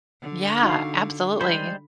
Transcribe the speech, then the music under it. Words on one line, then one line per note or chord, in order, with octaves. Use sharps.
Yeah, absolutely.
D3
D#4 F#4 F5
G3 G#3 C5 B5